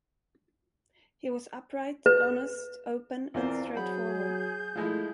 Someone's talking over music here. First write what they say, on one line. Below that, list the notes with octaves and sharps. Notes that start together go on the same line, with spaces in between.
He was upright, honest, open and straightforward.
B4
E2 C4 F4 A#4 C5 D5 F5
F#3 G#4 F#5 B5 G6
F3 G#3 A3 E4